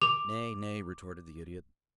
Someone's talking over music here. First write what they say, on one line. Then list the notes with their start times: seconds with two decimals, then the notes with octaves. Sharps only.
"Nay, nay," retorted the Idiot.
0.02 D6 F7